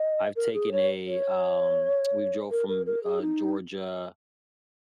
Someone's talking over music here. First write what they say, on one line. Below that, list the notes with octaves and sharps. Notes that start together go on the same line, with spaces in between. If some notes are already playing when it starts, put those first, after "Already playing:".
I've taken a, um, we drove from, uh, Georgia
Already playing: D#5
A#4
G#4
C#5
C#5
A#4
A#4
A#4
G#4
D#4